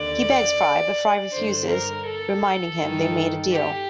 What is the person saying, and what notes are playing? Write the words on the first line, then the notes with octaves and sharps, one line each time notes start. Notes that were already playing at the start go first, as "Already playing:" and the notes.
He begs Fry, but Fry refuses reminding him they made a deal.
Already playing: D#2 D3 D5
G2 D3 C5
A#4
A4
G2 D#3
G4